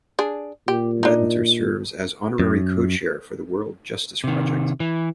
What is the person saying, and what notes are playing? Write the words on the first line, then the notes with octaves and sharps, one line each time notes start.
Badinter serves as an Honorary Co-Chair for the World Justice Project.
D4 G#4
A#2 G4
D4 D#4
F#2
C3 D#3
E3